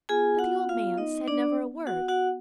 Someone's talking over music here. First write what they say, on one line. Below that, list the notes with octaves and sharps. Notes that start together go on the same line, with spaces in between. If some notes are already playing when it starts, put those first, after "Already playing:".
But the old man said never a word.
B3 F4 G#4 G#5
F#4 F#5
F4 F5
D#4 D#5
D4 D5
F#4 F#5
F#4 F#5